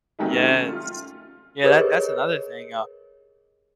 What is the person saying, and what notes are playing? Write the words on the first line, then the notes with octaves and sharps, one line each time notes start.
Yes, yeah, that that's another thing, uh,
C3 D#3 F#3 G3 A3
A3 C#4
F4
G4 G#4 A#4 B4 C#5 D#5